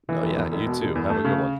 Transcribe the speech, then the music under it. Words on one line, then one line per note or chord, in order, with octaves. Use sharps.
No. Yeah. You too. Have a good one.
E3
E1
E2
E1
B2
E1
E2
A3
C#3